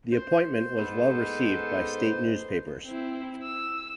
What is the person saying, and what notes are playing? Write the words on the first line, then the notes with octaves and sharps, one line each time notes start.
The appointment was well received by state newspapers.
C5
G#2 B3 A4 B4
C4 E4
E6